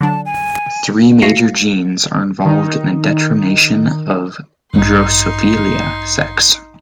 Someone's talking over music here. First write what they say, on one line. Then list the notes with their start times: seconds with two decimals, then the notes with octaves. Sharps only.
Three major genes are involved in determination of "Drosophila" sex.
0.01 D3 F#3 D4 A5
0.26 G#5
1.22 A3 F#4 F5 A#6 C7 C#7
2.45 D#3 D#4
4.74 A1 G2 D#4 C6